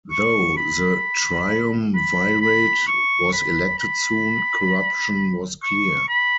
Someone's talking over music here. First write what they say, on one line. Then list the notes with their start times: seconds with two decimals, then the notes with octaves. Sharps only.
Though the Triumvirate was elected soon, corruption was clear.
0.11 C#6
0.57 B5
1.95 B5
2.41 B5
2.87 C#6
3.33 B5
3.79 B5
5.63 C#6
6.09 B5